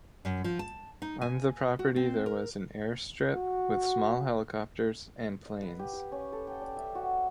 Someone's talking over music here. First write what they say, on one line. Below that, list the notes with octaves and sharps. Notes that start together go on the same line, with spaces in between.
On the property there was an airstrip with small helicopters and planes.
F#2
F3
A5
D#4
G#5
F#4
C4
A#4
F#4
D#5
B4
G4
G4
C#4
A4
G5
D5
E5
F#4